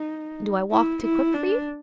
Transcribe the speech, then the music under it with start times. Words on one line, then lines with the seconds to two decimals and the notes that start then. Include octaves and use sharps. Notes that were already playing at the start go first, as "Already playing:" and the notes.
'Do I walk too quick for you?'
Already playing: D#4
0.71 E4
1.02 E4
1.34 D4